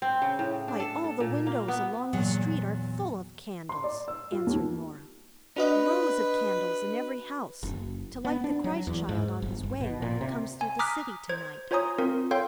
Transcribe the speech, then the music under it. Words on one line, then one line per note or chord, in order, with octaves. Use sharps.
"Why, all the windows along the street are full of candles," answered Norah; "rows of candles in every house, to light the Christ Child on his way when he comes through the city to-night."
C4
C#3
A2
D4
A4
A4
A#2
A#3
B3
E2 A#2 F#3 F#5
C6
D5
E6
F4
D#2
D4 F#4 B4 D#5
F#1
B3
D4
F#3
E2
G#2
G1
G1
B2
A#2
C3
G#5
A#5 D6 D#6 F6 F#6 B6
C5 G#6
F4 C5 C#5 G#5 A#5 D#6
C4 F4 A#4
A4 C#5 F5 G5 C6 G6